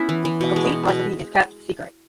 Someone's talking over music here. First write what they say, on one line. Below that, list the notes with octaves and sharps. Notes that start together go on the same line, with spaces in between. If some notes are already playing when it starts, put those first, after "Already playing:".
The complete recipe is kept secret.
Already playing: B3 C#4 E4 E5
E3
E3
B2
G#3
B2
B2